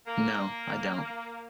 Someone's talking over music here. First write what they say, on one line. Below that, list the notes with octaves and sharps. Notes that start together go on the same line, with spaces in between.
No, I don't.
A#3